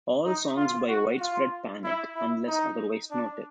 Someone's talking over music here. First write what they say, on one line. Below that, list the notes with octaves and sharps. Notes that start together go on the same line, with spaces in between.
All songs by Widespread Panic unless otherwise noted.
D#4
F4
F#4
F4
E4
E4
D#4
D4